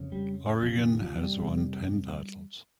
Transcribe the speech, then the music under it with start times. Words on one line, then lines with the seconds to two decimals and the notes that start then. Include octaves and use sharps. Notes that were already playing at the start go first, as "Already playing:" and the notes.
Oregon has won ten titles.
Already playing: F2 C#3
0.12 G3
0.63 F2 C3 F3
0.82 D#3
0.94 D#3
1.01 F3
1.20 G3
1.39 F2 C3